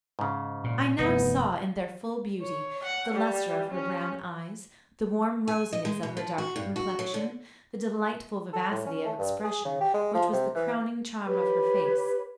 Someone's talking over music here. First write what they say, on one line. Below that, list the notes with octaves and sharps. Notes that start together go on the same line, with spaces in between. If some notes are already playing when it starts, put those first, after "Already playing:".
I now saw, in their full beauty, the luster of her brown eyes, the warm rosiness of her dark complexion, the delightful vivacity of expression which was the crowning charm of her face.
G#2 C#3
A#2
F1 G2 B3 D#4
C#5
F#5
G3
C#4
G#5
D#5
G#3
B2
F3
F#4
G2
F#4
F#3
D3
A4
A2
C#4
A3
G2
G#4
C#3
G4
G#3
F3
C3
E3
G4 B4 C#5